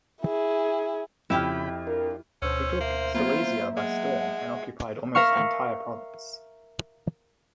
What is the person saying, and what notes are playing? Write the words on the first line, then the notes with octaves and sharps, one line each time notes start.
He took Silesia by storm and occupied almost the entire province.
E4 G#4
F2 C#3 E4 G4 G5 B5 F6
D4 F4 A#4
D2 B2 C#4 C5 E6
A#3 E5
F#3 A#3 B3 F4
G#3 F#5
A#4 E5 F5 C#6